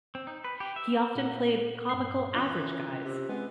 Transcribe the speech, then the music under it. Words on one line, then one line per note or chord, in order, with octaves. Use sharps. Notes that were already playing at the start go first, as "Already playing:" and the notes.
He often played comical "Average Guys".
C4
D#4
B4
G4
E5
A#2 F#5
G2 C7
E3 C#4 F4 F#6 G7
C3
G#3 B3 C4 G#4